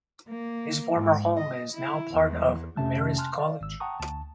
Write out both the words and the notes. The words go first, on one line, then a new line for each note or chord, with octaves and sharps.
His former home is now part of Marist College.
A#3
G#2
D#5
E4
E2
F2 C3 A3 C#4 E5 A5
G#5 A5 C6 F6 F#6
D5 F5
G#1 E6
F#5 G5 A5 A#5 C#6 D#6
D2 A5